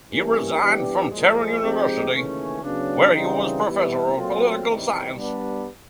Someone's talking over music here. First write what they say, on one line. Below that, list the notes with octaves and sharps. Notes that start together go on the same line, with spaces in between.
He resigned from Tehran University, where he was professor of political science.
E3 G3 A#3 C#4
E3 G3 B3 D4 G4
C2 A#2 F3 G#3
F3 G#3 C4 D#4 G4
D#2 C#3 E3 A3 C#4
C#3 F#3 B3 D4
C#3 E3 G3 C4 D#4
E3 G3 B3 E4
A#2 F#3 A3 C4 F4
E2 C3 D#3 G3
G3 B3 D4